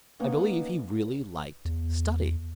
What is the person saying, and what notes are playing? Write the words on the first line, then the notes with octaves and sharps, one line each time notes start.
I believe he really liked study.
A#3 B3 C#4 D#4
E2